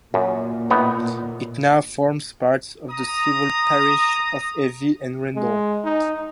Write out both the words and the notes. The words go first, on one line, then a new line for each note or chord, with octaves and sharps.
It now forms part of the civil parish of Evie and Rendall.
F#2 A#2
A2 B3 D#4
A#5 D#6
G#3
D#4